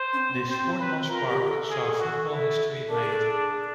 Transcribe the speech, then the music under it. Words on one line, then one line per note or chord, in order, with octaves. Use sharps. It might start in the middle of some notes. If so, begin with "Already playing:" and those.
This Sportsman's Park saw football history made.
Already playing: C5
C#4
C4
B3
C4 C5
B4
F4 A#4
G4
A4
G#4
F#4
E4
D4 A#4
G#4
A4
G#4